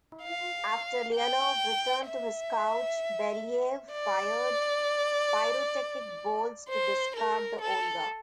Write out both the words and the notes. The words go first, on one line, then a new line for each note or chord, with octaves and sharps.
After Leonov returned to his couch, Belyayev fired pyrotechnic bolts to discard the Volga.
F5
G5
E5
D5
C5
A#4
A4